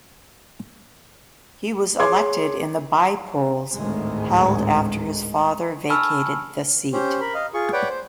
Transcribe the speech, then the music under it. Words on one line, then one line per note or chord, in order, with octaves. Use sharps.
He was elected in the by-polls held after his father vacated the seat.
G#4 C#5 C6 D6 G#6
G#1 D2 A2 D#3 G#3
G#5 A5 B5 C#6 E6 F6
C#4 G4 C5
A#4 B5
D#5 F5
F4 G#4 C#6
B4 C#5 D5 F#5 G5
C5